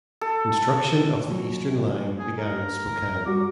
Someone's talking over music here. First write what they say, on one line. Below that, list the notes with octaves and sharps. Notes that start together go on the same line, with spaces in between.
Construction of the eastern line began in Spokane.
A4
D#2 F#3
G#4
A#4
G3 F#4 D6